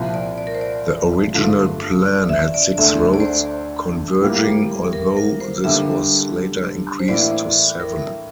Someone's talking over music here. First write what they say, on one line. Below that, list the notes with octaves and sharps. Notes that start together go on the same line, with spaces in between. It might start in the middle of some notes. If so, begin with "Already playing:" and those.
The original plan had six roads converging, although this was later increased to seven.
Already playing: C2 A#2 F3
D5
D5
A#4
C5
D5
G2 D3 A3 D4 F4
D5
E5
D5
D2 D3 A3 E5
D5
C5
D5
A2 G3 A#3
A#4
A#4
C5
D3 G3 A#3 E5
C5
A2 E3 A#3 E4 D5
A#4